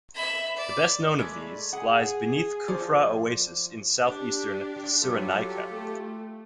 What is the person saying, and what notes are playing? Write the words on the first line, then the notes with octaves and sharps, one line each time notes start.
The best known of these lies beneath Kufra Oasis in southeastern Cyrenaica.
E5 B5
D5
G#3 A3 D5 B5
G#4 F#5
F3 F4 C5 D5
D4 G4
F#3 G3 F4 G4 A4
A3